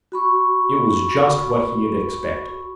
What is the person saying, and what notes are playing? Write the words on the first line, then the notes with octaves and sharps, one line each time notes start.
It was just what he had expected.
F#4 B5 C#6